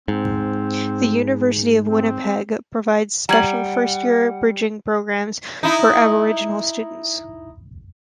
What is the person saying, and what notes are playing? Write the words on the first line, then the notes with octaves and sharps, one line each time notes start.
The University of Winnipeg provides special first-year bridging programs for Aboriginal students.
G#2 C4
C4
G3 F#5 A#5 G#6 F#7
D#4 E4